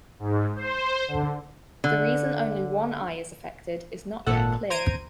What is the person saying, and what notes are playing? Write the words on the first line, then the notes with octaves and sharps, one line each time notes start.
The reason only one eye is affected is not yet clear.
G#2
C5
D3
D3
G#1 A#2 A4 F#5
C5 A#5 G#6 D7 D#7